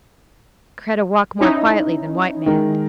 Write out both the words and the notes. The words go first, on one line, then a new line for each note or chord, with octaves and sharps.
Kreta walk more quietly than white man.
C#4 D#4 E4
D#3 G#3 A#4